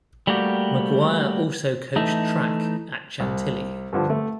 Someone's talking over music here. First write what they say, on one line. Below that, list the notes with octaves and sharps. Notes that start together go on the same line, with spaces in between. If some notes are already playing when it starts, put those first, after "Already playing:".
McGuire also coached track at Chantilly.
G3 A3 A#3 F#4 G4
E3 A3 D#4
C2
G2 D3 F3
A3